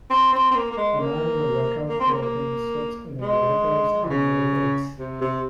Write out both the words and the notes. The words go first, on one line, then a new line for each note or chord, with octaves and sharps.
A man in a workout clothing sits in a yoga pose and meditates.
C4
C4
C4
A#3
A#3
G#3
A#3
A#3
C4
A#3
A#3
G#3
E3
C#3
C3
C3